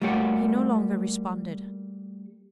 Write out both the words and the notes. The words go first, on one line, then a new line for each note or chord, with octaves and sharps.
He no longer responded.
G3 A3 A#3 F#4 G4 C#5